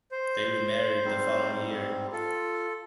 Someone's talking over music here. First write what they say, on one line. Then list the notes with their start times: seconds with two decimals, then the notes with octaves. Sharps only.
They remarried the following year.
0.12 C5
1.05 G#2 G3 C4
2.12 F4 A4